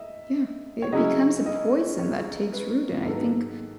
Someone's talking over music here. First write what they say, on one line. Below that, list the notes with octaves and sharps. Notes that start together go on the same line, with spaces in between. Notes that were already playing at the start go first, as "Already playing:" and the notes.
Yeah. It becomes a poison that takes root, and I think
Already playing: D#5 E5
C#5
C#3 F#3 C#4 E4 D#5
D#5
C#5
B4
G#2 D#3 F#3 B3 A4